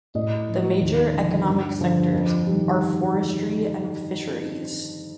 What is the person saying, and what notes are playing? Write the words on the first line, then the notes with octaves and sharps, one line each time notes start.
The major economic sectors are forestry and fisheries.
A2 D#5
F3
D#2
D3 F3
G2
D3 F3
F2
D#3 G3